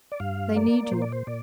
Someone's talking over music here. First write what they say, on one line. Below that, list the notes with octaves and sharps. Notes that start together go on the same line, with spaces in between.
They need you.
D5
G2 F5
A#3 D5
A#2 C5
D5
C5
A#2 D5